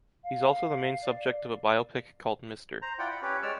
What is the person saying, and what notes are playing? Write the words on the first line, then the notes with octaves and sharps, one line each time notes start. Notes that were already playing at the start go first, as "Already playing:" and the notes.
He’s also the main subject of a biopic called Mr.
F5
D5
C5 A#5
E4 F4 D5 F#5 G5
B5
C#4 G4 B4 C#5
G#3 C#5 D5 E6 F6